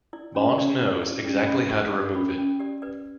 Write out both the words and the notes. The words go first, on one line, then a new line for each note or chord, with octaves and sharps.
Bond knows exactly how to remove it.
E4 D5
C#4
C#4 D5
C#5
G4 C#5
E4 D5
C#4 D5
C#4 B5
G4 C#6
E4 C#6
C#4 B5
C#4
G4 D5
B4 D5